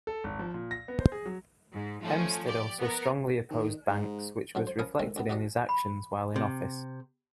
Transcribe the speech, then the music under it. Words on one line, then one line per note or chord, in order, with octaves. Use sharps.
Hempstead also strongly opposed banks, which was reflected in his actions while in office.
A4
G#1
F3
A#2
A#6
B3
C5
G#4
F#3
G#2
F3 A3 C#4
G4 D5
B3 A#4
D#3
G#2
F#2 D3 F3
C5
F3 C#4 A#4 B5 D#6
D#3 E3 G#3 A3 C4
D2 B2 B3
D#4 F#4 G4 D5 D#5
B5
C3